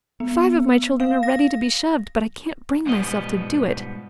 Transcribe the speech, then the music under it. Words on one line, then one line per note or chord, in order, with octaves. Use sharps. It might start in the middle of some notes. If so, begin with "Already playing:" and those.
Five of my children are ready to be shoved, but I can't bring myself to do it.
B3
F5
A#6
G#2 B2 F3 G3 B3 D#5